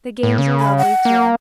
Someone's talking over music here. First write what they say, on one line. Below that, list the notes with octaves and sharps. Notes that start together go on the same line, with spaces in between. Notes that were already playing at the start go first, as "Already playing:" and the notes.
The games are lovely, too.
A2
C#3
B5
F#5
A#3